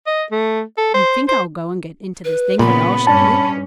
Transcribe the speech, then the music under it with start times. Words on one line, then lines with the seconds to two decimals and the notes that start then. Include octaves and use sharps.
You think I'll go and get into this thing, but I'll show you.
0.07 D#5
0.31 A3
0.78 A4
0.94 C5
1.28 C5
2.25 B4
2.59 A#2 C#3 B3 B5
3.07 G2 C#4 A5